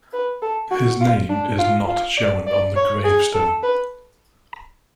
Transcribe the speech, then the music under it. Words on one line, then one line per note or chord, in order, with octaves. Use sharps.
His name is not shown on the gravestone.
B4
A4
F#4
F4
D4
F4
F4
D5
D5
C#5
G#4
A4
B4